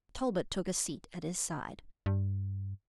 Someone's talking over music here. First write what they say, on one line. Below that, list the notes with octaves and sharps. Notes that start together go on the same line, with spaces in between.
Talbot took a seat at his side.
G2